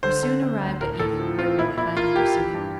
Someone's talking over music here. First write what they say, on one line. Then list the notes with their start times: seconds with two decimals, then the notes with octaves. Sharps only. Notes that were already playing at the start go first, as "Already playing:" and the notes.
We soon arrived at Egan, where we were kindly received.
0.03 D3 C5
0.23 D3
0.42 D3
0.61 D2
0.81 A2 A#4
0.99 A2 A4
1.19 F3
1.38 C4 F4
1.58 A#2 E4
1.77 A#2 E4
1.97 A#3 F4
2.16 A#3 G4
2.36 E3
2.54 G2